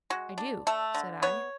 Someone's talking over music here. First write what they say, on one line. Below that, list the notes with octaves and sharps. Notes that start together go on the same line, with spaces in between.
"I do," said I.
G#3 F#4
D4
A3 A4
D3
B3 C#5